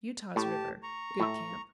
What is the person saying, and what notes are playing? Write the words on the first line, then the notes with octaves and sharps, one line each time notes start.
Utah's River.--Good camp.
A2 G4 A5
A#5 C#6
A2 E5